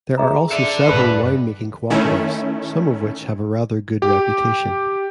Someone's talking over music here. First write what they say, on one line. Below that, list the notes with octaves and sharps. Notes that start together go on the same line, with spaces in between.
There are also several winemaking cooperatives, some of which have a rather good reputation.
G#4 E5 A#5
A4 D5 E5
G2 B4
D#3 A3 C#4 E4
G4